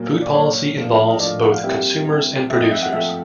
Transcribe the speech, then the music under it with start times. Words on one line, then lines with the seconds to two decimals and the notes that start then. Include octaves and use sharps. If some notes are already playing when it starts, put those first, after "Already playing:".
Food policy involves both consumers and producers.
Already playing: A#2 F#3 A#3
0.22 D5
0.33 A#2 F#3 A#3 C#5
0.77 A2 F3 A#3 D4 F4
1.10 D#5
1.20 A2 F3 A#3 D4 F4 D5
1.41 F#5
1.52 F5
1.63 G3 C4 E4 G4 A#4 E5
2.07 G3 C4 E4 G4 A#4
2.50 F3 A3 C4 E5
2.61 D#5
2.71 E5
2.83 F#5
2.93 F3 A3 C4 E5